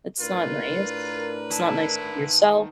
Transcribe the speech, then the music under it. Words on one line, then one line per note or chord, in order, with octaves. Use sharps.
It's not nice. It's not nice to yourself.
A2 D4 F4 A#4 B4
D#3 E4 A5